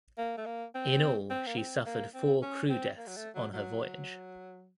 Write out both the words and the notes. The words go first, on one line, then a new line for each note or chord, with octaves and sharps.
In all she suffered four crew deaths on her voyage.
A#3
A3
A#3
C4
C4
A#3
C4
A#3
C4
C#4
C4
A#3
F#3
A3
F#3
F#3